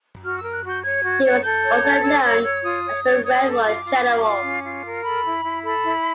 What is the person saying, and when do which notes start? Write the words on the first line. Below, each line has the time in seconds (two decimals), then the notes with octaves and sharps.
He was also known as "The Railroad General".
0.23 F#4 F6
0.38 A#4 E6
0.53 F#6
0.64 F#4
0.69 G6
0.83 C#5 G#6
1.03 F#4
1.24 C#5
1.43 A4 G6
1.64 C#5
1.84 A4
2.03 C#5 E6
2.23 C#5
2.44 C#5
2.64 F4 D#6
2.84 C#5
3.04 C#5
3.24 C#5 D#6
3.44 A4
3.53 D6
3.64 F4
3.84 F4
4.04 F4
4.24 F4
4.44 C#4
4.64 F4
4.84 A#4
5.04 A4 B5
5.25 E4
5.44 E4
5.64 A4 B5
5.84 E4